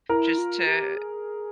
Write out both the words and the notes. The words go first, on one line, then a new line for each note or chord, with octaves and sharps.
just to
E4 A#4
F4
G4
G#4